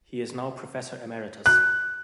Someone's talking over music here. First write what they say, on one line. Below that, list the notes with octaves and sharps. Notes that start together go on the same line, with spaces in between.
He is now professor emeritus.
F#6